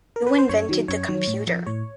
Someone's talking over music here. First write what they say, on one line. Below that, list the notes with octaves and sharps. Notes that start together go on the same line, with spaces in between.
Who invented the computer?
A#4
B4
C5
F#2 C#5
D#3 F#3
F#2 C#5
D#3 F#3
A2
F3
A2 C#5